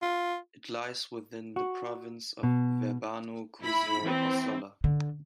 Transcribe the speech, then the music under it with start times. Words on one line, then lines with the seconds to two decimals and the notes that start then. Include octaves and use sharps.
It lies within the Province of Verbano-Cusio-Ossola.
0.02 F4
1.56 F#4
2.43 B2
3.61 E4 B5
4.02 E3 C4
4.84 D3